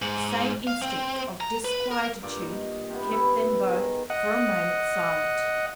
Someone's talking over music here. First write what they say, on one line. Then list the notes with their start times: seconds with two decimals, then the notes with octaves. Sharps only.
The same instinct of disquietude kept them both, for a moment, silent.
0.02 G#2
0.67 F5
0.82 C4
1.41 A#5
1.65 B4
1.91 A#4
2.22 G2 A#2 D5
2.41 D#5
2.90 C3 B3
3.11 E4 B4 E5
3.67 D#3 G#4
4.10 D#5 F#5